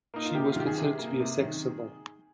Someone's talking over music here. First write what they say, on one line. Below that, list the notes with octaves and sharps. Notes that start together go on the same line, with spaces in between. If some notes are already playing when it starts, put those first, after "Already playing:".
She was considered to be a sex symbol.
A#3 D#4
F4
C3 G4
F4
D#3 G4
G#4
C3
A#3
C3
D#3